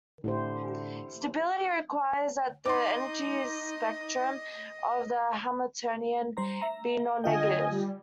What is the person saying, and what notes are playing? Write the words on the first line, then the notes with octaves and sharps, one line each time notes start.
Stability requires that the energy spectrum of the Hamiltonian be nonnegative.
A2 D3 E4 G4 C5
D#4 D#5 C6 D6
G3 C5 A#5
E5 A#5
D3 F4 D#5 G5 G#5
G3